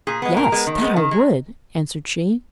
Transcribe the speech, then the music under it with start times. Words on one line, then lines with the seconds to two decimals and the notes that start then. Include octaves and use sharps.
'Yes, that I would!' answered she.
0.07 A#2 G#4
0.22 G#3 B3
0.37 A#2 A#4
0.52 G#3 B3
0.67 D#3
0.82 G#3 B3
0.96 D#3
1.11 G#3